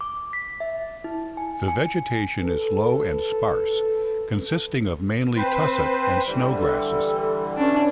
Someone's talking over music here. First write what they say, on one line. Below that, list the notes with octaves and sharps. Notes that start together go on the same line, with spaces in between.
The vegetation is low and sparse, consisting of mainly tussock and snow grasses.
D6
B6
E5
E4
G#5
G#5
A4 B4
C4 B4 C5
D3 E3 G3
A4
B2 E3 C#4 D4